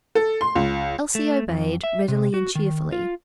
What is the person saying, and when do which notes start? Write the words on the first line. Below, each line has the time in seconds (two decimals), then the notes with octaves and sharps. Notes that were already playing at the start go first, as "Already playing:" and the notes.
Elsie obeyed, readily and cheerfully.
0.15 A4
0.41 C6
0.55 C#2
1.15 A3
1.49 F2
1.84 E5
2.08 C3
2.34 F#4
2.55 D#3
2.92 F4